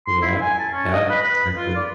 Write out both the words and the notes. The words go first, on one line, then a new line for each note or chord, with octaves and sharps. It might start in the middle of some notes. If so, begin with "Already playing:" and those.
Yeah, yeah, exactly.
C6
E4
G#5
A5
C#4
D#5
B4
B4
F4
D5